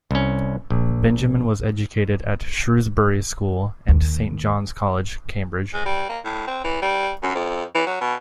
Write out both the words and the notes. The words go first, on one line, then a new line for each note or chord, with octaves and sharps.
Benjamin was educated at Shrewsbury School, and Saint John's College, Cambridge.
C2 C#4
A#1
D#2
G#3
G3
A#3
A2
C4
E3
G3
F#2
F2
E3
F#3
B2